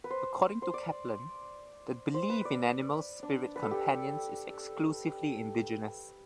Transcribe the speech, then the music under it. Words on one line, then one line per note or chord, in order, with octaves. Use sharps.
According to Kaplan, the belief in animal spirit companions is exclusively indigenous.
B4
C5
C5
D5
C5
B4
D5
D4
B4
A4
G4